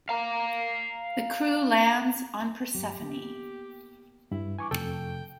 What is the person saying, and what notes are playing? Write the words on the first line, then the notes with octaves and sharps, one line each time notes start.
The crew lands on Persephone.
F5 A#5
G2 F#3 G4
A#3 B3
G2 E4
E3 G#5 C#6 D6
F2 C3 F3 A3 A4 G5